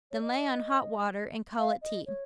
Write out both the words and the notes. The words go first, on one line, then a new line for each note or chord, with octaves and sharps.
Then lay on hot water, and call it tea.
C#5
D#5
F5
D#5
C#5